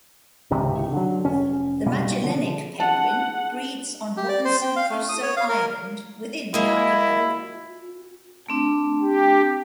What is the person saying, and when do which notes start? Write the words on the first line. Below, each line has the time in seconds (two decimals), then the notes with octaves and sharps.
The Magellanic penguin breeds on Robinson Crusoe Island within the archipelago.
0.50 G#1 C#2 C3 D#3
0.92 D3 F#3
1.24 F1 C#4
1.86 B1 B2 G3 A#3
2.24 D3 F3
2.80 F#5 A5
4.17 G4
4.28 D5
4.45 C5
4.62 G5
4.76 F5
4.90 A3
5.09 D#6
5.23 C#5
5.37 F5
5.49 A#4
6.54 G#3 A#3 E4
8.49 A3 C4 D4
9.01 G4